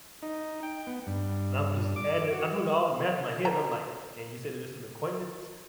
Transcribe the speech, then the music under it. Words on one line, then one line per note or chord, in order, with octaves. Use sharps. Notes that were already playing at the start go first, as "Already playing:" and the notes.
and I'm just adding it I'm doing all the math in my head, and I'm like, "and you said it's just an acquaintance?"
D#4
G5
B3
G2
D6
F#4
A3 A#5